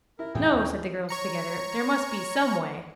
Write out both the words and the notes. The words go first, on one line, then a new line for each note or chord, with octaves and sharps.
'No,' said the girls together, 'there must be SOME way.'
E4 A#4
A2 E3 G#4 G5
D#2 C#4
C#5 A#5 C#7